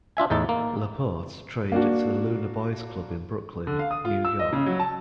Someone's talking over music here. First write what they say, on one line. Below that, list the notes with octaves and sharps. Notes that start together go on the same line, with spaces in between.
Laporte trained at the Lunar Boys Club in Brooklyn, New York.
D4 F4 E5 G#5
E2 A2 D#4 A4 A5
A#3
A#3 D4 F#4
D3
F5
D#6
F4
E6
D#5
C#3
F#3
A5